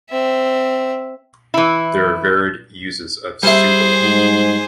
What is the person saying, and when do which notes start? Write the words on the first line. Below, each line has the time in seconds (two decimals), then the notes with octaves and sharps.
There are varied uses of Superloy.
0.10 C4 E5
1.54 E3 E4
3.43 G3 G#4 C5 E5
4.03 G#2